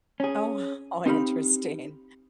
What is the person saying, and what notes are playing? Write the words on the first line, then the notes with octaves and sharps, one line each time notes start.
Oh, how interesting
C#4 G#4
C4 D#4 G4 B4 F5 B5